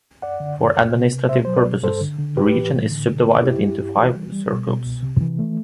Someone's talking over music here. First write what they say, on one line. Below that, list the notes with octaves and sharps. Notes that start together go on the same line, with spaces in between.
For administrative purposes, the region is subdivided into five cercles.
F#2 D5 F#5
D3
F#2
C2
C3
C3
B2 C5 E5
F#3 C5
B4 D5
B2
G2 A4 C5
D3
D3
A2 G4 B4
E3
A2
D3
D3
G2
G2 E4 G4
G2
G2
E3
G3
G3
B2
B2
C2
C3
E3
A3